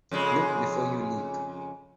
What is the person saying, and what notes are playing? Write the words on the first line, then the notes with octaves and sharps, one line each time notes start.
Look before you leap.
F2 C#3 G#3